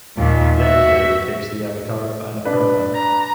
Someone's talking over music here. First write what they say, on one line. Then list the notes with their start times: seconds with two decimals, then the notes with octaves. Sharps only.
Then Devi takes the avatar of Annapurna.
0.17 D#2 A#2
0.57 F#4 E5
2.45 D4 B4
2.94 A#5